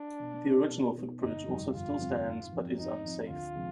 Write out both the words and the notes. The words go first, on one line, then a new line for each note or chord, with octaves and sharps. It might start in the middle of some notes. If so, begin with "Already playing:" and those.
The original footbridge also still stands but is unsafe.
Already playing: D4
B2
B3 D#4
B2
B3 D#4
G1 D#4
F2 C3 G3 C4
G1 F4
F2 C3 G3 C4
G#2
F3 C4
G#2 D#4
F3 C4
D2 F4
C3 F3 G#3